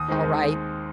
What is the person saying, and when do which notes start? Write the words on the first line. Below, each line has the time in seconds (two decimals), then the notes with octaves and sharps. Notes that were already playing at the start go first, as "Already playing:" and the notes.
All right.
Already playing: D#2 D#6
0.08 D#3 G#3 C4 D#4
0.24 D#2